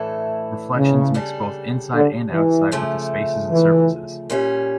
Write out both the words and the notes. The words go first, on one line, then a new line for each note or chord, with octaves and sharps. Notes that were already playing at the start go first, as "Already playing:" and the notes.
Reflections mix both inside and outside with the spaces and surfaces.
Already playing: A2 E3 A3 D4 A4
C#3
C#3 G3 D4 A4
D3
E3
D2 C#3 F3 A3
E3
A#2 G3 C#4